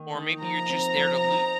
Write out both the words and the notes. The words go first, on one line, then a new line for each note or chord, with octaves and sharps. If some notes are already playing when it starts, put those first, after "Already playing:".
or maybe you're just there to loot,
Already playing: D#3 A#3
D#4
F3 A#5
C4
F3
D#4